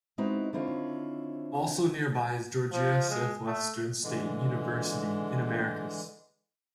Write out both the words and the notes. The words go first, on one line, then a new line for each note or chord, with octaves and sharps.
Also nearby is Georgia Southwestern State University in Americus.
G#3 B3 C4 D#4 E4 F#4
D3 D#3 C4 E4 F4 C#5
F3
G#3
A3
D3 E3 G#3